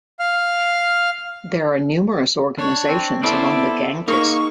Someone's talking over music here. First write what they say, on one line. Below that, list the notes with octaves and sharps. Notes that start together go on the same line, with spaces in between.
There are numerous organisations among the Gangtes.
F5 F6
D4 C#5
C4
B3 E4 A4 C5 D5
A#3 D#4 G#4 C#6